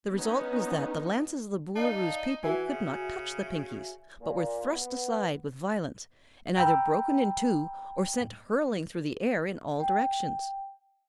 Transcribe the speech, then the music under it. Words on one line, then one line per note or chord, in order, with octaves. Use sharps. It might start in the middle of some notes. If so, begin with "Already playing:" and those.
The result was that the lances of the Boolooroo's people could not touch the Pinkies, but were thrust aside with violence and either broken in two or sent hurling through the air in all directions.
B3 C#4 D#4
D#4 D5 F5 A5
E3 F#4 E5 G#5
C#3
A#2
B3
G5 A#5 B5 E6
G5